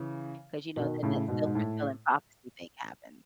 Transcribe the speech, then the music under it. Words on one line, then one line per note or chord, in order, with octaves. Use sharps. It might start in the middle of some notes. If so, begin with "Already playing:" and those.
'cause, you know, then that self-fulfilling prophecy thing happens.
Already playing: C#3 E3
B2 D#3
A2 C#3
G#2 B2
G#2
A2